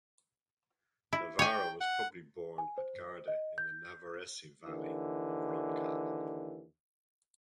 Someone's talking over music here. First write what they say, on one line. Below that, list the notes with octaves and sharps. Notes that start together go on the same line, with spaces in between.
Navarro was probably born at Garde in the Navarrese valley of Roncal.
E4
C#5 G5 G#5
F#5
G#5
C5
D#5
G6
D#2 D3 E3